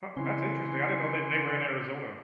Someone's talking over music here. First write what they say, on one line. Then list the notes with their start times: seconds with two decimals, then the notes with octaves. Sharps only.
Huh, that's interesting. I didn't know that they were in Arizona.
0.17 C#3 E3 C4 C#4 E4 C6